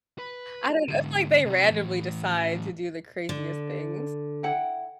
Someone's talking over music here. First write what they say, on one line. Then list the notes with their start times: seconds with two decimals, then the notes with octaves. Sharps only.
I don't know, it's like they randomly decide to do the craziest things.
0.19 B4
0.88 G#2 D3
1.45 C3 F#3
1.71 A2 E3
3.29 D3
4.43 E4 F#5 G5